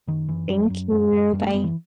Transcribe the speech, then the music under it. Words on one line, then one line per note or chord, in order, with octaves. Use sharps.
Thank you. Bye.
F#2 D#3
F#2 E3
F#2 F#3
F#2
F#2
F#2
F#2 G3
A3
F#2 B3
E3